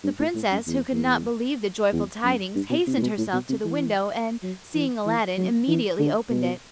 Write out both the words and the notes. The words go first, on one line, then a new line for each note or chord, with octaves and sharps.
The princess, who could not believe the joyful tidings, hastened herself to the window, and seeing Aladdin, immediately opened it.
G2
A2
A2
F#2
E2
E2
E2
F#2
G2
B2
C3
A2
B2
A2
B2
C3
E3
F#3
E3
E3
F#3
E3
D3
B2